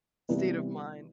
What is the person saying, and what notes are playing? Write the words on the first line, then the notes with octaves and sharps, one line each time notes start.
state of mind.
C3 E3 G3 B3